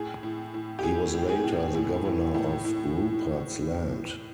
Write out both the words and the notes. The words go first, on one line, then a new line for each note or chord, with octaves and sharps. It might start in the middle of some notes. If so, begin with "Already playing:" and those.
He was later the Governor of Rupert's Land.
Already playing: A2 G#4
A2
A2
G4
E3 G#4
A2
G#4
A2
A2
E3
A2
A2